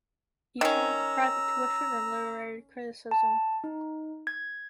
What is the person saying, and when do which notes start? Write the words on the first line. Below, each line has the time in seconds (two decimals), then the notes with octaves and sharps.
He turned to private tuition and literary criticism.
0.61 D#3 C#4 A#5 E6
3.11 A5
3.64 D#4
4.27 G#6